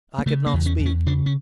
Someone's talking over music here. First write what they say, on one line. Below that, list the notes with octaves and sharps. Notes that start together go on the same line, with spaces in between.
I could not speak.
A#3
C#3 A3
A#3
E2
C#4
E2
C#4
C#3 D4
C#4